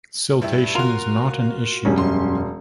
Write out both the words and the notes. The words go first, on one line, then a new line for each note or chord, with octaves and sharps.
Siltation is not an issue.
G2 G3 E4
F4 F#4 A#4 C6
E1 G3 C#4
F#2 C6